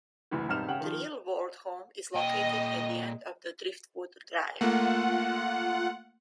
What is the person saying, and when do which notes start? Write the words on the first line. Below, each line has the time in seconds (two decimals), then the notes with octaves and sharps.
The Real World home is located at the end of Driftwood Drive.
0.31 F#1 D2 E3
0.49 E1 G2 C4 D#4 F6 E7
0.68 C#3 F#5 G5 F#7
0.80 D#3 F3
2.15 A#2 D#5 G5
4.61 A3 A#3 F4 F#5